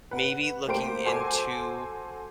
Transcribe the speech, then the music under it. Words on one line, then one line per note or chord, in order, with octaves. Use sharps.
maybe looking into
B4 F#5
A3 A#3 G4 C5 C6 D7
F#4 A4 C5 G#5 C6 D6